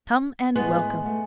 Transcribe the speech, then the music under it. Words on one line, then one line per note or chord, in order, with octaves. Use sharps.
"Come, and welcome."
A2 G#3 B3
A3